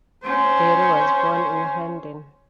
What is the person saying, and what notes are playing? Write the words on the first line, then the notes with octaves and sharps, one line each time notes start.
Berry was born in Hendon.
C#4 C5